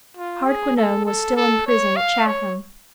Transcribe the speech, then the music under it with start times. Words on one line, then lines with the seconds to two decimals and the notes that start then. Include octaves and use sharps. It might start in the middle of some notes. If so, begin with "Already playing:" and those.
Hardquanonne was still in prison at Chatham.
0.17 F4
0.46 G#4
0.77 A4
1.06 A4
1.36 A4
1.67 C#5
1.96 F5
2.26 C#5